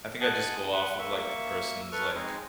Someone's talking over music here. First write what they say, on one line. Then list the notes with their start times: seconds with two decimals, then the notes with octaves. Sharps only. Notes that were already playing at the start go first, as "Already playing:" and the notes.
I think I just go off of, like, the person's, like,
0.20 D#5 F#5 G#5 A5 F#6
0.73 F#5 B5
0.99 A#3 E5 C#6
1.92 A4 B4 C#6 F6
2.15 G#3 C4 D#4 G#4